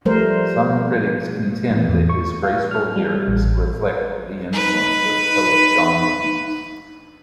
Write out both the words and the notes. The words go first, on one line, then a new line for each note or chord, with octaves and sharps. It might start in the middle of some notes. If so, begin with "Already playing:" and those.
Some critics contend that his graceful lyrics reflect the influence of poet John Keats.
F3 G3 A3 A#4 C5
A2
E2
C#6
F5
F6
G3
A1
D#4 B4